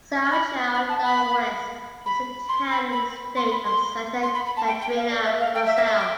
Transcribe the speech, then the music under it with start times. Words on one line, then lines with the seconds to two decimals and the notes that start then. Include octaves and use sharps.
São João do Oeste is a town in the state of Santa Catarina, Brazil.
0.31 B5
0.74 B5
0.89 A5
1.03 B5
2.06 B5
2.49 C6
2.71 B5
2.92 B5
3.36 C6
3.51 B5
3.65 C6
4.23 C6
4.34 B5
4.46 B5
4.57 A5
4.67 G5
4.81 G5
4.96 F5
5.10 D5
5.25 E5
5.40 F5
5.55 G5
5.66 E5
5.76 E5
5.87 E5
5.98 G5